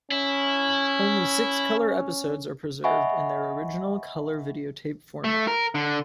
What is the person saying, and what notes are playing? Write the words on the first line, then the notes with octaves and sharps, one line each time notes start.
Only six colour episodes are preserved in their original colour videotape format.
C#4 E4
D#5 E5 F#5 G#5 B5 C#6
A3
A#4
D3